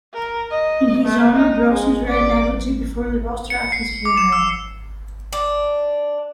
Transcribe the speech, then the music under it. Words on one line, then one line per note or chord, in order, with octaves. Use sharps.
In his honor, Drusus read a eulogy before the rostra at his funeral.
A#4
D#5
A3
D#4
G#3
D5
C#7
C7
D6
E7
E6
D4